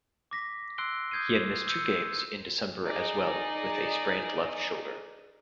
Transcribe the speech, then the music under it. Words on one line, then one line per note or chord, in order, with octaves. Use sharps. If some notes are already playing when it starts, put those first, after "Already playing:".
He had missed two games in December as well with a sprained left shoulder.
D6 A#6 B6
C6 E6 F#6 C7 D7 G7
D#6 G6 G#6 C7 D#7
E6 G6 C#7 D#7
D#4 G#4 D5 D#5